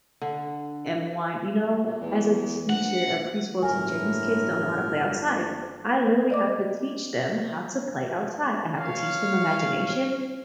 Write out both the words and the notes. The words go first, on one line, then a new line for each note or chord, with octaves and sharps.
am one you know, as a teacher, a preschool teacher, these kids don't know how to play outside. I literally have to teach them how to play outside. I have to teach them imagination.
D3
A#2
E2
A#1 F#5
G1 A2 A#4 G#5
D5 D#5 D6
C#5 F5